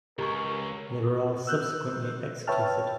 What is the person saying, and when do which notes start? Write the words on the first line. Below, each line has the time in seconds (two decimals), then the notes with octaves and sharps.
They were all subsequently executed.
0.19 C#2 G4 A#4 A#5 C#6
1.47 E6 F#6 G6
2.47 B4 C#5 E5 G5 A5 F6